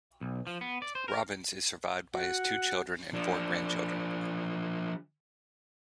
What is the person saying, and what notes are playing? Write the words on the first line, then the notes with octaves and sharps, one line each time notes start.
Robbins is survived by his two children and four grandchildren.
B1
F3
B3
D5
C5
A#4
F#4 F#5
F3 D4